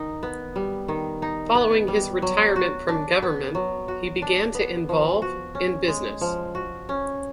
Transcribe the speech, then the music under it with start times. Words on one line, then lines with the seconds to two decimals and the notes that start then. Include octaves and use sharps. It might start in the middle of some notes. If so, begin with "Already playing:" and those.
Following his retirement from government he began to involve in business.
Already playing: D#3 D#4
0.23 B3
0.56 G3
0.88 D#3
1.22 D#4
1.55 B3
1.88 G3
2.22 F#3
2.56 F#4
2.89 D4
3.22 B3
3.55 F#3
3.88 F#4
4.22 D4
4.54 B3
4.89 F3
5.22 F#4
5.55 C#4
5.88 G#3
6.21 F3
6.55 F#4
6.89 C#4